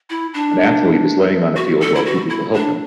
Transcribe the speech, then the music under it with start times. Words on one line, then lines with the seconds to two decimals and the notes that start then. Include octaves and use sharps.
An athlete is laying on a field while two people help him.
0.10 E4
0.34 D4
1.56 F#4
1.81 A4
1.95 E4
2.05 F#4
2.30 E4
2.54 D4